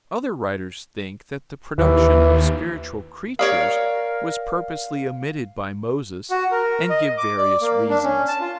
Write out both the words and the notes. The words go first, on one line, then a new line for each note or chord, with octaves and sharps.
Other writers think that the production of spiritual creatures was purposely omitted by Moses, and give various reasons.
D#2 E3
A#4 C#5 D5 F5 D#6
F#4
A#4
D#5
D6
D5
A#3
D4
C#4
A5
F4